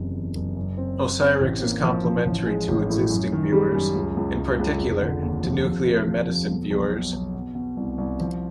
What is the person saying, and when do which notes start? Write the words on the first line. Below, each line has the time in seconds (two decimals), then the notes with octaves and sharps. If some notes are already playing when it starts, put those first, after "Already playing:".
Osirix is complementary to existing viewers, in particular to nuclear medicine viewers.
Already playing: F#1 E2 C3
0.14 E2
0.35 F#1
0.56 F#2
0.77 C4
0.99 C4
1.21 C4
1.41 A1
1.62 A#3
1.83 F3
2.04 F3
2.26 A1
2.46 G#3
2.68 A1
2.89 A2
3.10 F#2
3.32 D#3
3.52 G3
3.74 F#2
3.96 C#2
4.17 C#2
4.37 C#2
4.59 C#2
4.79 F1
5.02 D3
5.22 D#2
5.43 F3
5.65 F2
5.85 C3
6.07 F3
6.29 F2
6.50 B2
6.71 B1
6.92 B2
7.13 B1
7.35 B2
7.55 B2
7.77 C2
7.98 C2
8.20 F3